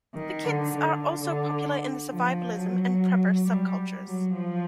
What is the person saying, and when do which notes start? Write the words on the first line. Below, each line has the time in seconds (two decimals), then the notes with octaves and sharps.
The kits are also popular in the survivalism and prepper subcultures.
0.14 D#3
0.45 D3
0.75 D3
1.20 D3
2.10 F3
2.56 F#3
3.44 G3
4.05 F#3
4.35 F3